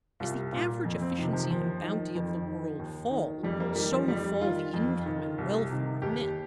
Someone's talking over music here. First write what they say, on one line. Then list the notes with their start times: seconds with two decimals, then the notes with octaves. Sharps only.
As the average efficiency and bounty of the world fall, so fall the income and welfare of men.
0.20 C2 F4
0.53 A#2 F4
0.85 F2
1.02 C4
1.17 C3 D#3 F3
1.33 F3
1.50 D#2 F3
1.82 D#3
2.15 F2
2.47 D#3
2.79 D#2
3.11 D#3
3.43 F2 G3
3.60 A#3
3.76 D#3 G3
3.92 F3
4.08 F2 G3
4.41 D#3 F4
4.74 F2
5.06 D#3
5.38 C2
5.69 C3 D#3
6.02 D#2 G4